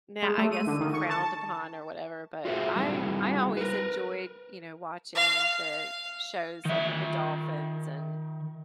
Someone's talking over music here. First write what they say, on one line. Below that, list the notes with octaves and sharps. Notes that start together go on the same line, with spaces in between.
now, I guess frowned upon or whatever, but I I always enjoyed, you know, watching the shows, like, with the dolphins and
G#3
A3
D#7
D3
D#3
C#6
A5
F4 F#4 G#4 A#4 C5 E5
G3 C4 D#4 E4 F#4 G#4
A#4 B4
F5
F5
D#3 E5